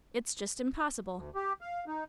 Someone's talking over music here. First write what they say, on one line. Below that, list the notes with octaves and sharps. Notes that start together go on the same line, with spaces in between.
It's just impossible!
D2
G4
F5
D#4